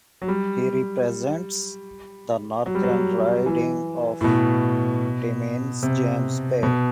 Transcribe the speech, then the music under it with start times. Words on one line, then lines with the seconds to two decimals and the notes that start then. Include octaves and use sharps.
He represents the northern riding of Timmins-James Bay.
0.22 F#3
0.28 G3
2.66 F#3
2.75 G3
2.83 F#3
3.46 E3
4.21 A2
4.24 B2
5.83 C3
6.63 B2